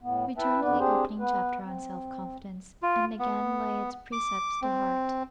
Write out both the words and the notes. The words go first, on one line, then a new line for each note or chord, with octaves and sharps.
Return to the opening chapter, on self-confidence, and again lay its precepts to heart.
A2 B3
E4 B4 E5 G5 A5
F2 B3 B4 D5
C4 D4 G4 G#4 C5
B3 B4
C4
F4
B3
D6
C4